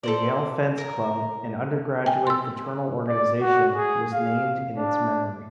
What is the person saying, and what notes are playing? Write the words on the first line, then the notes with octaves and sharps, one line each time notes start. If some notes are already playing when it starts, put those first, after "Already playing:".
The Yale Fence Club, an undergraduate fraternal organization, was named in its memory.
A4 C5 D5
A#4
G5 G#5
C6 E6
D5
F#4
G#4
F5
D4